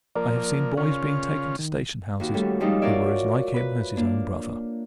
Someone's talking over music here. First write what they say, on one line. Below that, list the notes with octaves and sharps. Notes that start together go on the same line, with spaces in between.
I have seen boys being taken to station-houses, who were as like him as his own brother.
F3 A#3 A#4 D5
C#3 C#4 F4
D#3
D#2 F#4
G3 A3 C#4 A4
F3 G3 G#3 D#4 F4 A4
F4 F#4 A#4 C#5 D5 E5
B4 B5
A#3 D4